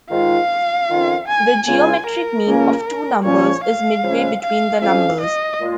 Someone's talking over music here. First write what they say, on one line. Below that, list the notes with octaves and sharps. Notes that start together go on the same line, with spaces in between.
The geometric mean of two numbers is midway between the numbers.
G#2 D#3 G#3 F4 F5
F2 D#3 C#4 F4
G#5
C#2 C#3 G#3 F4 G#5
A#4
C#2 C#3 A#3 C#4
A#2 F3 C#4 C#5
F5
C#3 F3 G#3 C#4
F5
F2 F3 C#4 F5
D#5
A#2 G#3 F4